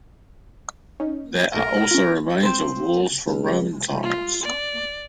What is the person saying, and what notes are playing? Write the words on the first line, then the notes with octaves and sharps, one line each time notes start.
There are also remains of walls from Roman times.
C#4 D#4
B1 A3 A#4
C#4 F4
C4 C5
C#2
F4
D5